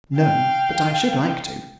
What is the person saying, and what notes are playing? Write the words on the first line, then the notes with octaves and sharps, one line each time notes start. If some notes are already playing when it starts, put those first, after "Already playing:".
"No, but I should like to."
F5 G5